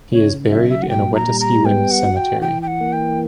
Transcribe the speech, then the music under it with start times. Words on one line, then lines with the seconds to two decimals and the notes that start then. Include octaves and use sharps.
He is buried in a Wetaskiwin cemetery.
0.12 C#3 C#5
0.50 F#3 E5
0.70 E5
0.82 F#5
0.89 A#2 G5
1.15 A#5
1.28 G3
1.40 A#5
1.65 B3 G5
1.91 F#5
2.04 F#4
2.16 G5
2.41 E3 G5
2.62 G5
2.67 F#5
2.81 A#3
2.92 G5